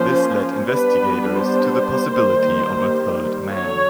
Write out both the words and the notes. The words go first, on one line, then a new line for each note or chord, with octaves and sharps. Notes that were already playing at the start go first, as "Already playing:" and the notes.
This led investigators to the possibility of a third man.
Already playing: F3 A#3 C#4 C5
G3 B3 D4 B4
C5
D#3 G3 A#3
D3 F#3 C#5